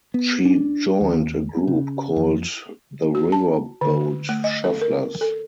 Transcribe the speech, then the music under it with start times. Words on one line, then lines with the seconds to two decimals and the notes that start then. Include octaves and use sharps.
She joined a group called the Riverboat Shufflers.
0.14 B3
0.45 D4
1.01 D#2
1.67 C#3
2.16 F2
3.15 F#4
3.32 A5
3.81 D3
4.29 A3
4.44 D#5
4.64 A4
4.81 A#4
5.21 A4